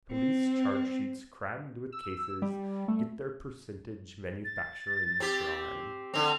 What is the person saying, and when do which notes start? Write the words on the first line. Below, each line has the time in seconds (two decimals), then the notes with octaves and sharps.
Police chargesheets crammed with cases get their percentage manufacturing crime.
0.11 C4
1.92 E6
2.42 G3
2.88 A3
4.44 A6
5.20 C4 G4
6.14 D3 C4 F7